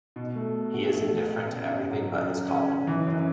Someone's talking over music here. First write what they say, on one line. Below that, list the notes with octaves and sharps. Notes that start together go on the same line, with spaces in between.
He is indifferent to everything but his calling.
B2
A3
A3
F#4
A3
A3
B3
C#3
F#2
F#3
F#2
C#3
C#4
C#4
E3
F#2